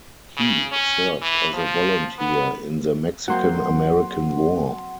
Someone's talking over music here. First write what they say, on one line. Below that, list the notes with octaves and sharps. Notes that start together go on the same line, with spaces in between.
He served as a volunteer in the Mexican-American War.
C#3
C#4
E3
F3
B3
F#3 A#3 C4 F#5 C6